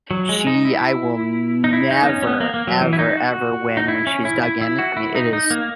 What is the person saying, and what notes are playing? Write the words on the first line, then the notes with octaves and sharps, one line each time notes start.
she I will never, ever, ever win when she's dug in, I mean, it is
F#3
G#3
D#4
E4
D#4
E4
D#4
B3
C#4
C#4
B3
A#3
A#3
F#3
E3
E4
D#4
F#4
D#4
E4
C#4
E4
E4
E4
F#4
E4
D#4
D#4
A#3